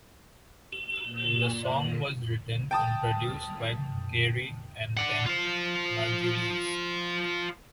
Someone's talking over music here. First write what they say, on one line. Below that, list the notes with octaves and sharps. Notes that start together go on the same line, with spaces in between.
The song was written and produced by Carey and Ben Margulies.
A#2
G5 A5 D#6
D5 F#5
F4 C5